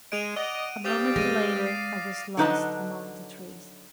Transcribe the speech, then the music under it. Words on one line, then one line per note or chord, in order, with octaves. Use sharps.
A moment later, I was lost among the trees.
G#3 D7 D#7 F7
D5 D#5 F#5
G2 C4 G4 D5 F5 D6 D#6 F7
G#3 A#6 D#7
C7
D3 F#3 D#4 B4 D#5 A5